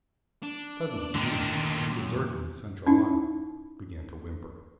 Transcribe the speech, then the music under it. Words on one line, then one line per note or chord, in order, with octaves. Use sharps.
Suddenly Weena, deserted in the central aisle, began to whimper.
D4
A2 D3 D#3 C6
D#2 A#2 C6
F#2
C#4 D#4 E4